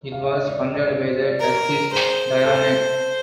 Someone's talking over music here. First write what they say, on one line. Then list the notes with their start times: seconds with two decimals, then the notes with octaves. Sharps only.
It was funded by the Turkish Diyanet.
0.12 F5
0.23 E5
0.35 D#5
0.48 D5
0.61 C#5
0.74 D5
0.87 C#5
1.05 C5
1.40 A#4
1.92 G#4 C5
2.45 A4